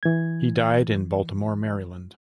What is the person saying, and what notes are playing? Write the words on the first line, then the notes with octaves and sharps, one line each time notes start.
He died in Baltimore, Maryland.
E3 G#6